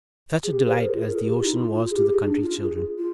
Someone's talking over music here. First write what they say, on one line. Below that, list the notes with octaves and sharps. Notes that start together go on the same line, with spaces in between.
Such a delight as the ocean was to the country children!
G#4
G4
C5
A#4
G#4
F4
A#4
G#4
G4
F4
D#4
F4
F4
G#4
G4
G#4
D#4
D4
F4
G#4
F4